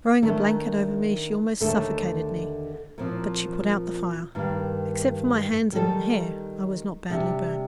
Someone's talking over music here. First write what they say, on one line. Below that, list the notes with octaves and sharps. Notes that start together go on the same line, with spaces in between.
Throwing a blanket over me, she almost suffocated me, but she put out the fire. Except for my hands and hair I was not badly burned.
D#3 A3 D4
D#2 D3 A3 D#4 A4
A#2 F3 C4
G2 D#3 A#3
D#3 G3 C4 D#4 A4
C3 G3 D4 G4